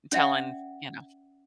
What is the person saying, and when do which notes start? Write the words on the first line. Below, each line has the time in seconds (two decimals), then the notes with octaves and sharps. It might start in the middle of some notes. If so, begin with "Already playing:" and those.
telling you know,
0.12 C#4 D5 E5 F#5 G5